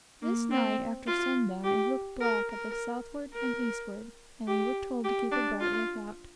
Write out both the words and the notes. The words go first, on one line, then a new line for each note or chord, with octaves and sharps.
This night, after sundown, it looked black at the southward and eastward, and we were told to keep a bright look-out.
A#3
C4
F4
G4
A#4
A#4
A#4
G4
G4
D4
F4